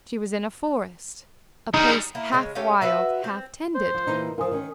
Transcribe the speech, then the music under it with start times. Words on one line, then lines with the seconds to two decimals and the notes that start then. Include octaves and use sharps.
She was in a forest, a place half wild, half tended.
1.74 G3 G#3 D#4
2.15 A#3 E4
2.32 C#3 G#3
2.55 A3 C#4 G4 F5
2.81 F#4 B4 E5
3.24 C4
3.75 C5
3.94 F3
4.07 A#2 E3 D#4
4.38 F3 F4 A#4 G#5 D#6
4.51 D#3 C#4